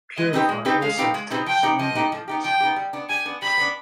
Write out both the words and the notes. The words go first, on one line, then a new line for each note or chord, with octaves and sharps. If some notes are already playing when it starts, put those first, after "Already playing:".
Purify also detects memory leaks.
G#3 D#5
C4 D#4 G4 B4
G#3
C4 D#4 G4 B4
G#3 F5
C4 D#4 G4 B4
G#3
C4 D#4 G4 B4
F3 G5
B3 D#4 G4
F3 D#5
B3 D#4 G4
F3
B3 D#4 G4
F3 G5
B3 D#4 G4
G3
B3 D4
G3 G#5
B3 D4
G3 B5
B3 D4